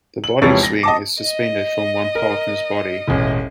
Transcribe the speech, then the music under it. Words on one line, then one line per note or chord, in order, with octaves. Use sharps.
The body swing is suspended from one partner's body.
F#7
E1 C3 E3 F3 C#5 A6
A#6
D#5 A5 D6
D#5
A#4
E1 A1